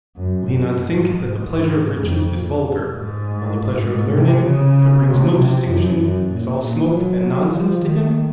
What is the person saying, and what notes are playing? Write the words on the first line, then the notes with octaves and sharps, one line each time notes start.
Will he not think that the pleasure of riches is vulgar, while the pleasure of learning, if it brings no distinction, is all smoke and nonsense to him?
F#2
F#2
G#2
G#2
G#2
F2
G#2
G#2
C3
C#3
C#3
C3
F#2
F#2
A#2
A#2
F#3
F3
D#3